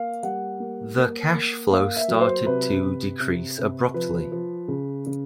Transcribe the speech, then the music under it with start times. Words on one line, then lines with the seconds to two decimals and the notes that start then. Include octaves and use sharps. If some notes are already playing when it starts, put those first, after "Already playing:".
The cash flow started to decrease abruptly.
Already playing: A#3 F5
0.23 G3 F#5
0.60 A#3
0.97 A#3
1.34 A#3
1.71 A#3 F5
1.97 E5
2.08 F#3
2.20 C5
2.46 C3 B4
2.83 C3
3.20 C3
3.58 C3
3.94 F3 B4
4.32 F3
4.68 C#3
5.07 C#3